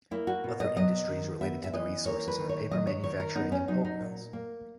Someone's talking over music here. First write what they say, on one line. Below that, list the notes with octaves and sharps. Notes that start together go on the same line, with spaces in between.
Other industries related to the resources are paper manufacturing and pulp mills.
A#3 E4
F#4
B2
D#5
F#3 D#5
D#3
B3 E5
E5
E3 D#5
A#3 C#5
B4
D#3
C#5
F#3 D#5
C#5
D#3 C#5
A#4
B3 D#4
C#4
F#3 D#4
D#4
A#2
A#3